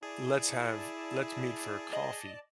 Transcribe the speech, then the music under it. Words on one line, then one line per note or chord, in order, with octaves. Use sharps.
"Let's have let's meet for a coffee."
E4 G#4 D5 A5
D#5